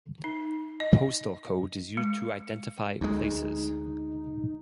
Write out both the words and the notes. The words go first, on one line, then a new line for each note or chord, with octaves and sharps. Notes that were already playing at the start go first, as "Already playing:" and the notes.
Postal code is used to identify places.
D#4
D#5
G#3
D2 G#3 D#4